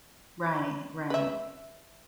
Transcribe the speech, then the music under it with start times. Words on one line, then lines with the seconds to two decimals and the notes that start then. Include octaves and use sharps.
Right, right.
1.10 B4 E5